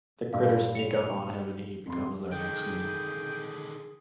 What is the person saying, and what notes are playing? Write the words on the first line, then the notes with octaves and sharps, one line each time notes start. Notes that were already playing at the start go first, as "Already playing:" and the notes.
The Critters sneak up on him and he becomes their next meal.
G2 A#2 G3 F5
C#7 F7
F2 C6
D3 D#3 G#4 G5